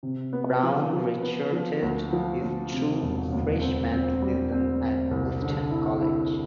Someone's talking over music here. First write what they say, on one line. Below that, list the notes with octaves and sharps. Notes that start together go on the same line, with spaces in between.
Brown redshirted his true freshman season at Boston College.
C3
B3
F3
F3
B3
F3
D2
F3
D2
C3
E1
D2
C4
C4
G3
C4
C4
C2
D3
E4
E4